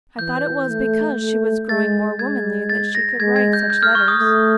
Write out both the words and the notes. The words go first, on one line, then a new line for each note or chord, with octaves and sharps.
I thought it was because she was growing more womanly that she could write such letters.
E3 G6
A3
A3
G#3 A6
G#3 G#6
A6
A#6
G#3 G#6
G#6
G6
G6
F6
C#6
D#6
A3